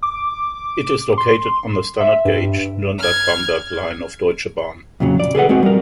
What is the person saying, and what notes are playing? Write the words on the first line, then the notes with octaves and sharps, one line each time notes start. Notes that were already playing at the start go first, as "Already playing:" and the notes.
It is located on the standard gauge Nuremberg–Bamberg line of Deutsche Bahn.
D6
C6
E5
G2
F6 G#6
F2 A#2 C#3 F#3
D5
G#4 A4 B4 F#5
G#3 C4 F#4
G3 A#4